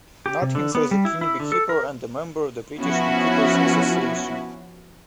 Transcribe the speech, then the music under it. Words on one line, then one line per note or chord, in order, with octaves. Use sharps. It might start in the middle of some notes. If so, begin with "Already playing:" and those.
Nutkins was a keen beekeeper and a member of the British Beekeepers' Association.
G4
C3
D3
B3
G3
E4
E4
D3
A4
A#4
F3 B3 C#4 E4 F#4